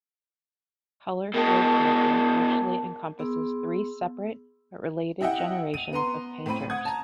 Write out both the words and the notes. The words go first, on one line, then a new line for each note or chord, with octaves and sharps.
Color Field painting actually encompasses three separate but related generations of painters.
B2 G#3 A#4 G5 A5
B3 G#4 C6 E6
E4 G4 D#5 E5 F#5 G5
D#7
B3 A#5 C6
A2 C4 C5 B5 D#7
F#5 D#6 G#6
A5 A#5